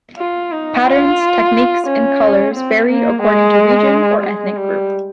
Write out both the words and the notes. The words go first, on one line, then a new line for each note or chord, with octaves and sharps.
Patterns, techniques and colors vary according to region or ethnic group.
F4
D#4
F4
C#4
C4
A#3
G#3
G#3
G3